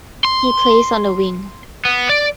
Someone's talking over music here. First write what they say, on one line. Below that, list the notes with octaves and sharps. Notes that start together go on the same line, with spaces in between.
He plays on the wing.
C6
B3
D5